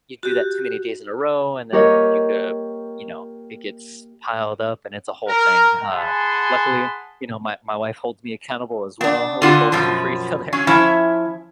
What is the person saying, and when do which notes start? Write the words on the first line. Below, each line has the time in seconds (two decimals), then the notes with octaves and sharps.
you do that too many days in a row, and then you give you know, it gets piled up, and it's a whole thing, uh, luckily, you know, my my wife holds me accountable, as well or, we both do for each other,
0.23 F#4 G4
1.72 A#3 G4 A#4 C#5 D#5
5.27 A#4
5.91 G#4 F#5 G#5 A5 B5 C6
9.01 B3 D4
9.42 D3 F4 F#5
9.72 F#2 B2 F3
10.53 F#3 C#4
10.67 F3 C#4 E4 E5